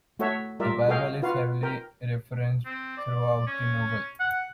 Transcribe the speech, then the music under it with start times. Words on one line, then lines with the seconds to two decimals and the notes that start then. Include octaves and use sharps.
The Bible is heavily referenced throughout the novel.
0.19 A3 F#4 A4 C#5 E5
0.60 G3 F4 A#4 D5 E5
0.88 F#4 G#4 A4 D#5 F5 G5
1.22 F4 F#4 B4 F5
1.63 A#4 G5
2.65 C4
2.98 D5
3.47 C#4
4.20 F#5